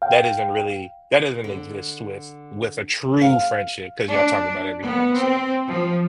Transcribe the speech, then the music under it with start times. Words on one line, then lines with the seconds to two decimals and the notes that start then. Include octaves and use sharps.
that isn't really, that doesn't exist with with a true friendship cause y'all talk about everything, so
0.02 F5 G5
1.44 D3
3.21 F5
4.11 D4
4.83 B3
5.17 C4
5.69 F3